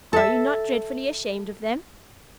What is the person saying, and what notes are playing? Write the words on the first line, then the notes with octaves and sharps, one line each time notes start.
"Are you not dreadfully ashamed of them?"
A4 E5